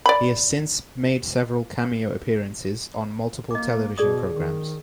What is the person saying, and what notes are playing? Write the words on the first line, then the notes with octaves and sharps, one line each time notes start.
He has since made several cameo appearances on multiple television programs.
D5 B5
A#3 D#5 D6
B2 G#4 D5 D#6
D#3